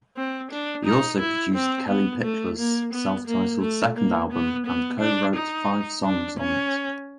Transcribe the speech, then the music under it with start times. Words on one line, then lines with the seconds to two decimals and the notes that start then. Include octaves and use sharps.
He also produced Kellie Pickler's self-titled second album and co-wrote five songs on it.
0.16 C4
0.51 D4
0.85 D#4
1.19 E4
1.54 C4
1.89 B3
2.24 A3
2.58 A#3
2.92 B3
3.27 A#3
3.61 A3
3.97 A#3
4.32 B3
4.66 B3
5.00 D4
5.35 D#4
6.05 D4
6.39 C#4